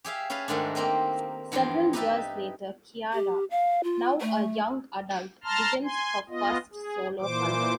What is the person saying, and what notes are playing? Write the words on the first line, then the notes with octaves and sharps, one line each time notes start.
Several years later, Kiara, now a young adult, begins her first solo hunt.
G4 G#4 E5 F5
C#4 G#4 B4 F5 A5
G#2 D#3 G#3 A3 D4
A#3 C4 G4 D#5
E2 G2 F3 G5 C6
D#4 G4 B4 D#5 E5 A5
G4
F5
F4
A3
A5 A#5 C6 F6
G#5 C6
B3 F4 D#5
G#4
A#2 E3 C5 D6